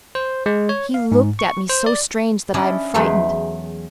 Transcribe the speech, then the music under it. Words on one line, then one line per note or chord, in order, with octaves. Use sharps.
He looked at me so strange that I am frightened.
C5
G#3
C#5
F5
G#2
C#6
C5
D5
C#4 D4 E4 D5 D#5 A5
E2 F#3 G#3 A3 E5